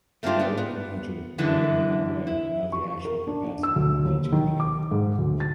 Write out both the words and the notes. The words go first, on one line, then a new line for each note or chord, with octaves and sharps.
A network manager may in that way know the actual capacity of each computer.
A3 A#3 C4 D4 F4 G4
B3 D5
B3
D3 E3 G#3 B3 D4 E4
E4
C#6
A#4
D4
D4
E6
D2
D#2
D#3
D6
G#2
D2
A6